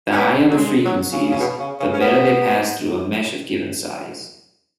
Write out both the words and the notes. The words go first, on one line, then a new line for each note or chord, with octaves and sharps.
The higher the frequencies, the better they pass through a mesh of given size.
C#4
B3
F#3
G#3
F#3
C#3
C#3
B2
C#3
C#3
C#4
B3